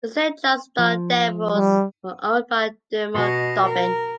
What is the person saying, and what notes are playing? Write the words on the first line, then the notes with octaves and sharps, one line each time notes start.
The Saint John's Fog Devils were owned by Dermot Dobbin.
F3
G3
B2 D#5
A#4